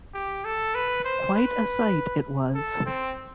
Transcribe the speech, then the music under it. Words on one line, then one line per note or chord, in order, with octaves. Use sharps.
Quite a sight it was.
G4
A4
B4
C5
B4
A4
C4